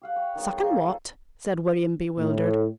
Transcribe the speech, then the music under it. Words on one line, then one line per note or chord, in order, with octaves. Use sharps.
"Suckin' wot?" said William, bewildered.
G4 F5 F#5
C#5
D#3 G3 B3 G#4
A#3 D#4 C5
F4 G#4 A4
A2